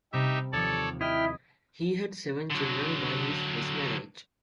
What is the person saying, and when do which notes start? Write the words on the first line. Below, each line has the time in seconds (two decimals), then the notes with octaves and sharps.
He had seven children by his first marriage.
0.13 C3 G3 D#4 G4 E5
0.53 D#2 F3 A4 C#5 D5
1.01 E4 D#5 G5 F6
2.50 D3 F#3